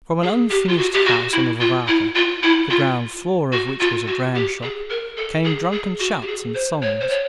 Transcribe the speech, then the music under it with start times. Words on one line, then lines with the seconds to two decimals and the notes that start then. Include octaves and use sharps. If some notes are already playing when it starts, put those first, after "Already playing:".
From an unfinished house on the Varvarka, the ground floor of which was a dramshop, came drunken shouts and songs.
0.23 G#4
0.50 G4
0.68 F4
0.78 F#4
0.94 G4
1.05 F#4
1.33 E4
1.60 F4
1.88 E4
2.15 F4
2.43 E4
2.70 F4
3.52 F#4
3.80 F4
4.07 F#4
4.35 G4
4.63 G#4
4.90 A#4
5.17 A4
5.45 G#4
5.72 G#4
5.99 F#4
6.22 G4
6.27 G#4
6.55 C5
6.82 C#5
7.01 C5
7.10 C#5